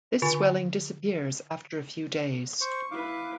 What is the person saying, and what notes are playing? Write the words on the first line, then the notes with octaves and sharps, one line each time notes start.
This swelling disappears after a few days.
D3 F4 G#5
C5 C#6
E4 B4 F5 D6